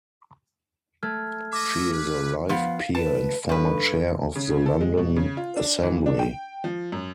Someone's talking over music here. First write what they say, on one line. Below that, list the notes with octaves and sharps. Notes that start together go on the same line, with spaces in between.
She is a Life Peer and former chair of the London Assembly.
A3 F6 G#6
F#4 D#5 E5 D6
B4
F3 B3 F5
B4 A5
G2 A4 B4
C#3
A4
G#3
B2
C#3
F4
D4
E3
D4
G5
F3
F#2